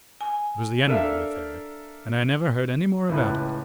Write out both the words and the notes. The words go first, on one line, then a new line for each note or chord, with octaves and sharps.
It was the end of the affair, and I never heard any more about it.
G#5
D4 A4 A#4 E5 F5
C#2 A2 B4